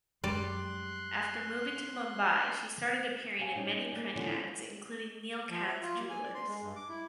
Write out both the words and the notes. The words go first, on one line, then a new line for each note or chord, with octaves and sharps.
After moving to Mumbai she started appearing in many print ads including Neelkanth Jewellers.
F#2 G3 G#3 D5 C6 F#6
C5 F5 G#5 A5
G3 C#4 D#4 G4
G3 A#3
D3 E3 F3 G#3 B3 C#4
F3
E5
F4
A#3
G#5
D5
C6
G#3
G2
D6
E4